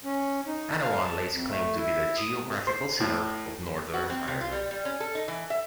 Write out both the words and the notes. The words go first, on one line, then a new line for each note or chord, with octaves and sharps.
Annaghone lays claim to be the geographical centre of Northern Ireland.
C#4
D#4
F5
A5
F2
A3
E4
D#6
C3
C5
A2
F#4
C4
C3
F4
G3
G3
C#4
A4
D#4
E3
E5